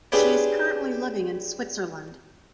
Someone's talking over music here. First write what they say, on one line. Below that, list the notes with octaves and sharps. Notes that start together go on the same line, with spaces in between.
She is currently living in Switzerland.
D4 F4 G4 G#4 B4 C#5